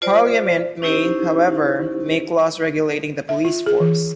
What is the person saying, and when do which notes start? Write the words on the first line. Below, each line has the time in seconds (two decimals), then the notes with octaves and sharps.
Parliament may, however, make laws regulating the police force.
0.02 F4 C5 D5
0.82 C#4 D#4 E4 G4 C5
3.29 E5
3.45 F4
3.66 G#4
3.80 E3